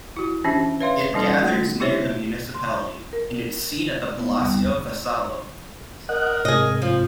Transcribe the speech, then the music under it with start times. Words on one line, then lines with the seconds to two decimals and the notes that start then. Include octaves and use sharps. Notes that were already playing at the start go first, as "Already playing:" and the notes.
It gathers near the Municipality, in its seat at the Palacio Vassallo.
0.17 E4 F#4
0.44 E3 C#4 D4 G4 E5 A5
0.81 B4 C#5 E5 F5 C6
1.13 E3 G3 C#4 D#4 A4
1.41 A3 A#3 D#4 F#4
1.80 D#4 E4 G4 C5 C#5 E5
2.54 C6
3.13 A#4
4.17 B3
4.41 D#2 G3
6.09 A#4 D#5 F#5 F#6
6.45 G#2 C3 G#4 D#5
6.82 F3